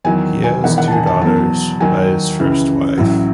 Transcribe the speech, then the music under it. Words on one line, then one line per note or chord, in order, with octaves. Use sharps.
He has two daughters by his first wife.
E2 D#3 F#3 G#5
G#5
E1 E2 D#3 F#5
F#5
A5
G#5
A5
E2 B2 F#3 A5
D#2 D#3 F#3 G#5
C#2 C#3 E3
A1 A2 F#3